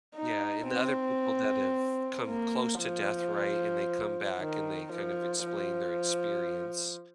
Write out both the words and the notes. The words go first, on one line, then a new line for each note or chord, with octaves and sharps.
Yeah, and the other people that have come close to death, right, and they come back, and they kind of explain their experience.
D#4
C4
A#3
F3
D#3
F3
F3